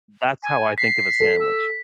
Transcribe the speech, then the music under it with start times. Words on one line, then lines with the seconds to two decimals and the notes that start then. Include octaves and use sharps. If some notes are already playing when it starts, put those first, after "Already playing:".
That's how I think of a sandwich.
0.43 G#5
0.78 B6 C7
1.20 A4
1.40 E6